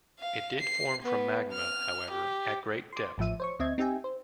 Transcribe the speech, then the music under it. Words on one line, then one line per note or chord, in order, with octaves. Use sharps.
It did form from magma, however, at great depth.
F5
C7
B3
F6
G4
C6 D6
A1 A2 F3 E5 D#7
C5 C#5 C#6
D2 C4 D#5 E5 G#6
C4 D#4 G4 E5 G5 G#5
C5